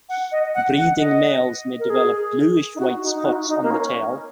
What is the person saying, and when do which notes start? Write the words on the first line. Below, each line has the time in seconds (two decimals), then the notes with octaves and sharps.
Breeding males may develop bluish-white spots on the tail.
0.09 F#5
0.32 D#5
0.54 F#5
0.78 F#5
0.99 D#5
1.79 A#4
1.90 G#4
2.75 D#4
2.80 F#4
3.03 D#4
3.15 D#4
3.25 F#4
3.48 D#4
3.63 A#3
3.71 C#4